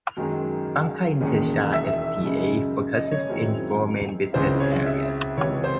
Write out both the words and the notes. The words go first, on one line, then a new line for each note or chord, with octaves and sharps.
Banca Intesa S.p.A. focuses in four main business areas.
F#2 D#3 G#3
E1 D#2 D#3 G#3 C#4
E5
F#2 C#3 G#3 D#4
D#5
C#5
F#2 D#3 G#3 C4 E4
C#2 C#3 G#3 C4 E4 C5
C#5
E5
C#2 C3 E3 C#5
C5